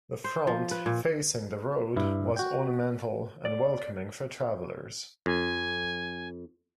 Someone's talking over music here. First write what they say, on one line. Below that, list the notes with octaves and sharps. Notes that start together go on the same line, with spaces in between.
The front, facing the road was ornamental and welcoming for travelers.
C5
F3
B4
A#2
G2 E4
F#4 G5
D5
F2 G#5